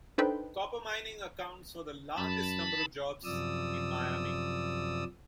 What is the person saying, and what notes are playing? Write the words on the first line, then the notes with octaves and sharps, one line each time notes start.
Copper mining accounts for the largest number of jobs in Miami.
D4 D#4 A4 B4 C5 G5
F#2 A5 B5
F#2 C3 F3 D5 D#6 E6